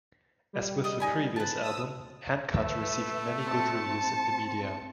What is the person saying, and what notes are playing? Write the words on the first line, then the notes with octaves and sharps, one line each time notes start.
As with the previous album, "Hand Cut" received many good reviews in the media.
G3
D#5 D#6
D#4 G#5 B5
B4 A5
D#6 E6
A3 B4 E5
C4 A5 C#7